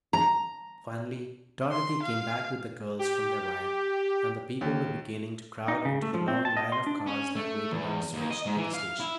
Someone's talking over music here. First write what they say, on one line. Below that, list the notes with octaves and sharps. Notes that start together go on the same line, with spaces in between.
Finally Dorothy came back with the girls from their ride, and the people were beginning to crowd into the long line of cars that waited on a switch near the station.
A#5
C6
F5
G4
D#2
D#4
C#3
A3
F3
C4
A5
D#5
C6
D4
C#4
A3
E2
D#2
D#5
G#2
E3
F5
E4